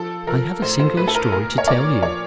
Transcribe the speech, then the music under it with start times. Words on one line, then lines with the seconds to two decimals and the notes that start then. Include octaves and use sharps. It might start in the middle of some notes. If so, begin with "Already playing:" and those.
I have a singular story to tell you.
Already playing: F3 A4
0.27 F3 A#4
0.62 A2 C5
0.80 C5
0.97 A2 B4
1.08 A4
1.15 A#4
1.32 A#2 A#4
1.58 C#5
1.67 A#2 D5
2.02 F3 C#5